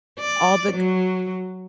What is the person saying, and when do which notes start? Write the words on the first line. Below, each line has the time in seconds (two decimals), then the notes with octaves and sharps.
all the g
0.20 D5
0.73 F#3